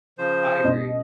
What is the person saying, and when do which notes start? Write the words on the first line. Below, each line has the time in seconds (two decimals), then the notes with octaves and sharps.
I agree.
0.18 C#3 F3 C5
0.64 C#2 B2 D#5